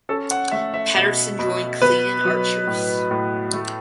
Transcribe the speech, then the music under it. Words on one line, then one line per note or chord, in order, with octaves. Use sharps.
Patterson joined Cleadon Archers.
C#4 A4
F#5
A3 E5
E5
B2
B2
B3 B4
F#3
A2
A2
A3